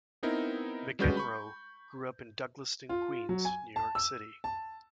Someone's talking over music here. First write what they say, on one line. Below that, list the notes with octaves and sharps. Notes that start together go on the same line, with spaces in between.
McEnroe grew up in Douglaston, Queens, New York City.
B3 C4 D#4 E4 A#4
G3 G#3 C#4 F#4 B4 G6
B5 C#6
F4
F#3
G#5
A5
E6
A5